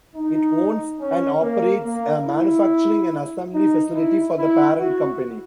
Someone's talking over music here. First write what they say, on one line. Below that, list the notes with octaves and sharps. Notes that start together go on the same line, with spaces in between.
It owns and operates a manufacturing and assembly facility for the parent company.
D#4
C#4
A#3
A#3
E4
D#4
E4
E4
F#4